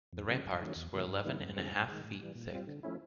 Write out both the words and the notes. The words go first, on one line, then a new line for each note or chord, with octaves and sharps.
The ramparts were eleven and a half feet thick.
F2
C#3 F3 G#3 C#4
G2
D#3 F#3 A3 C#4
E2
C3 E3 A3
G2
D#3 G3 B3 E4
F#2
D3 F3 G#3 C4
G2
D#3 G#3
A2
E3 G3
A#2
G3 C4 F4
D3
F3 A3 C#4 E4